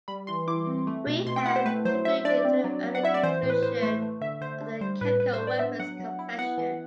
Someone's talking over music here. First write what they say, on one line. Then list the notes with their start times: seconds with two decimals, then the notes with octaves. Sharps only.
We have contributed to the early conclusion of the Chemical Weapons Convention.
0.08 G3 B5
0.27 E3 C6
0.48 E4 D6
0.67 C4
0.87 A3
1.07 B2
1.26 B2 C6
1.36 G5
1.45 E4 F#5
1.56 C5
1.66 A3 B4
1.85 F#3 C5
2.05 F#3 E5
2.25 D4 D5
2.45 C4
2.64 F#3
2.84 F#3
2.95 F#5
3.03 E4 E5
3.14 D5
3.23 E3 C5
3.43 A2
3.50 B4
3.62 A2 C5
3.83 A3 C5
4.02 A3
4.21 D3 E5
4.41 D3 C5
4.61 D4
4.81 G3 C5
5.01 A2 B4
5.20 A2 B4
5.34 C5
5.40 D4
5.47 D5
5.59 B3 E5
5.79 F#3 F#5
6.00 F#3
6.19 E4
6.39 B3 F#5
6.58 E3